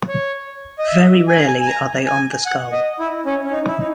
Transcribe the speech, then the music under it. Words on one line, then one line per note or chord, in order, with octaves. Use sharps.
Very rarely are they on the skull.
C#5
D#5
E5
G#5
A#5
G#5
G#5
A#5
G#5
F#5
D#5
E4
C#4
C#4
D#4
E4
D#4